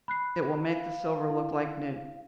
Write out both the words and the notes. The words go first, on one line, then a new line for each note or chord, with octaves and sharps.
It will make the silver look like new.
B5 F#6 C7
F5
E4